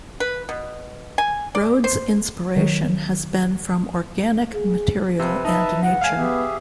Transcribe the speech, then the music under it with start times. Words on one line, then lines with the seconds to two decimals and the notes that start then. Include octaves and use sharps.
Rhodes' inspiration has been from organic material and nature.
0.20 B4
0.49 B2
1.18 G#5
1.55 D5
1.84 C5
2.56 D#3 F#3
4.54 G#4
5.20 C3 B4
5.45 D#4 B4 E5 A5
5.83 C#3 E3 F#5
6.01 A3 F5 G#5
6.17 B3 G4 G#4 E5